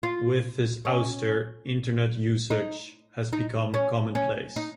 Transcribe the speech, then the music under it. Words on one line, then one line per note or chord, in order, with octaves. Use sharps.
With his ouster, Internet usage has become commonplace.
F4
C#4
D#4
D#4
C#4
C#4
D#4